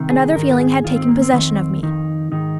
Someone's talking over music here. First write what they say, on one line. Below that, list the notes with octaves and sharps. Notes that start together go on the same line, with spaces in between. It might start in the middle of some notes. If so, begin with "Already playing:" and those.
Another feeling had taken possession of me.
Already playing: C2 C3 D#3
G#4
G#2 D#3 A#4
F4
G#4
G#2 D#3 F4
C4
A#3
C4
F2 D#3 C4
F2 D#3 D#4
G#2 D#3 D#4